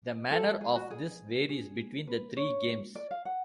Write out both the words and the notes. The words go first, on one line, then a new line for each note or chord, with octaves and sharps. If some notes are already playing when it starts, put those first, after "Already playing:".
The manner of this varies between the three games.
A4
G#4
F#4
G#4
G#4
B4
C#5
D5
F5
F#5